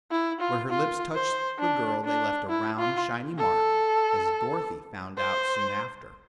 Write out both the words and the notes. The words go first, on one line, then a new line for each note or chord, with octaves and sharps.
Where her lips touched the girl they left a round, shining mark, as Dorothy found out soon after.
E4
F4
F4
C5
D4
D4
E4
F4
A4
C5